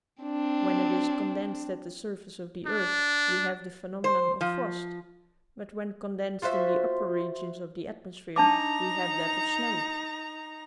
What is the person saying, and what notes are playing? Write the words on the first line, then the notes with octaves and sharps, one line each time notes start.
When it is condensed at the surface of the earth we have the phenomenon of frost, but when condensed in the upper regions of the atmosphere we have that of snow.
C4 D4
D4
C5
F3
F4 F#4 C5 E5
D4 D#4 A5 A#5 D6